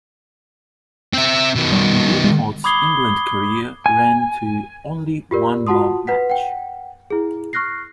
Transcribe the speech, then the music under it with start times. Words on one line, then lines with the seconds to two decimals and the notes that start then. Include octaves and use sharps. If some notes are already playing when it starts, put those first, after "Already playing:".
Newport's England career ran to only one more match.
1.13 C4 E5
1.56 B2 D#3
1.72 G3
2.24 G#3
2.64 B5 D6 D#6 G#6 C7 G7
3.86 G#5
5.31 F4 G4 A#4 D5
5.67 F4 F#4 F#5 A5 C6 D#6
6.07 B4 F#5 B6
6.30 F#5 G5
7.10 E4 G#4
7.53 C#6 F6 F#6 A#6 C7